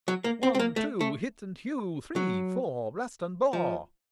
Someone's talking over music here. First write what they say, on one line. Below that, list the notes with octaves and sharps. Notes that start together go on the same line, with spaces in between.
'One, two, Hit and hew! Three, four, Blast and bore!'
F#3
A#3
C4
C4
A#3
A3
A3
F#3
F3